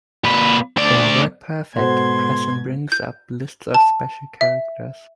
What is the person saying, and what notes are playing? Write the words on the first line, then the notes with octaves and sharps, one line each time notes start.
In WordPerfect, pressing brings up lists of special characters.
A#2 B4
D2 D5
G#2 B2 F#4 A4 C5 C6 G#6
G6
A5
E5